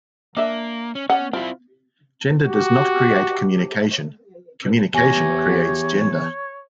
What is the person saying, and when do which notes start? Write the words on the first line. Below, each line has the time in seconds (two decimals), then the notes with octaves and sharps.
Gender does not create communication, communication creates gender.
0.37 A#3 D4 E5
0.95 C#4
1.10 C#4 D5 F#5
1.33 C4 E4 F4
2.45 F#4 G4
4.94 E2 G4 C#5 G#5 A#6